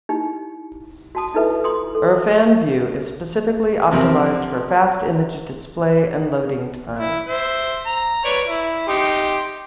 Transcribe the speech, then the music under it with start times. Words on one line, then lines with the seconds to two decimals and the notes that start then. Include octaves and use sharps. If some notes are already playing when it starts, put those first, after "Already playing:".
IrfanView is specifically optimized for fast image display and loading times.
0.09 D#4 E4 G4
1.15 F#4 A5 D#6
1.34 D#4 E4 A4 B4 E5
1.64 F4 C6 D#6
1.95 A4
3.91 C3 F3 C4 A#4
6.99 E4
7.28 C5 E5
7.86 A#5
8.25 B4 C#5 D5
8.48 E4
8.88 D#4 G4 C6